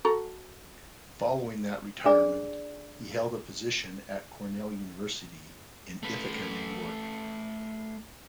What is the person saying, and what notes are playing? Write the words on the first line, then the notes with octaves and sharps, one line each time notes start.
Following that retirement, he held a position at Cornell University in Ithaca, New York.
F#4 A4 A#5
D4 G#4 D5
A3 B4